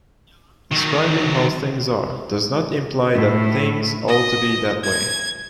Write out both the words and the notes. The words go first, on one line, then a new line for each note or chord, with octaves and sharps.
Describing how things are does not imply that things ought to be that way.
D#3 F#3
A2
D#5
G#6